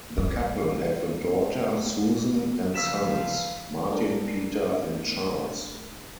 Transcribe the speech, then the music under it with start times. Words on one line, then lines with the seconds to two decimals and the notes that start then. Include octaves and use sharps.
The couple have a daughter Susan, and sons; Martin, Peter and Charles.
0.18 G3
2.74 C#3 F3 B4 F5 E6 B6 E7
3.91 G3 A3 D4 G#4 A#4